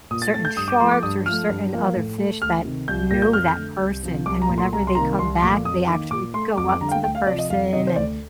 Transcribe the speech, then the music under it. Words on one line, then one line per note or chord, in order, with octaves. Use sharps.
certain sharks or certain other fish that know that person, and whenever they come back, they actually go up to the person and
A#2 D#6
A6
A3 A6
G6
G2 D#6
D6
F3 A3 C6
D6
G2 D#6
F3 A3 F6
G2
F3 A#3
A2
A3
D2 F6
C3 D#3
C2 G6
A#2 G3 A#3 A#6
G6
F2 F6
D3 A3
C2
C3 F3
C2 D6
A#5
A#2 A3
C6
C2 A#5
C6
C3 D#3 G3 A#3 A#5
C2 C6
A#2 F3 A3 D6
F2 D#6
D#3 A#3 D6
A#2 D6
A3 C6
F2 D6
D6
D3 G3 A#5
F5
G5
D2 G5
F5
C3 F3 D5
D#5
F2 F5
C3 D#3 D#5
C5
D2 D5